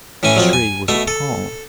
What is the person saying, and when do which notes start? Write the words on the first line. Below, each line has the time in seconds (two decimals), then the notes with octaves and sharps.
The tree was a palm.
0.23 A2 E3 C#4 G#5
0.36 F2 F3 F#3
0.53 G#5
0.88 B2 A3 E5
1.08 A4